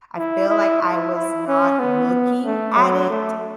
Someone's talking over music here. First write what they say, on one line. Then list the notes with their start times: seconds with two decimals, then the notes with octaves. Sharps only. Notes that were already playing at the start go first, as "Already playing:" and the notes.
I feel like I was not looking at it
0.17 E4
0.49 E4
0.82 E4
1.14 E4
1.47 C#4
1.79 B3
2.45 A3
2.77 F#3
3.10 A3